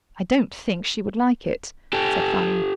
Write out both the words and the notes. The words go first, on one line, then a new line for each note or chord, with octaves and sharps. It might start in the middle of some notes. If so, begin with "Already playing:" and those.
"I don't think she would like it," said Fanny.
G4 A4